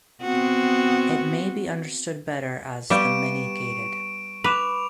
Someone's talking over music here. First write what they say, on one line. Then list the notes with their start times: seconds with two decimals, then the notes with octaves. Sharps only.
It may be understood better as the "Many Gated".
0.22 B3 C4 F#4
2.90 G3 B3 G4 F5 C#6 D7 E7
4.44 B4 B5 D6 E7 F7